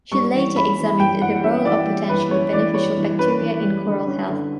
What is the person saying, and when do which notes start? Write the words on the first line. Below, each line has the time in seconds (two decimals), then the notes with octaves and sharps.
She later examined the role of potentially beneficial bacteria in coral health.
0.12 G3 C#6
0.34 E3
0.56 C#4 B5
0.77 E3
0.99 G3 G5
1.21 E3 F#5
1.44 C#4 E5
1.65 E3 D5
1.87 G3
2.09 E3 B4
2.31 C#4 C#5
2.53 E3 D5
2.74 G3 C#5
2.97 E3
3.18 C#4 B4
3.40 E3
3.63 G3
3.85 D3
4.07 C#4
4.29 D3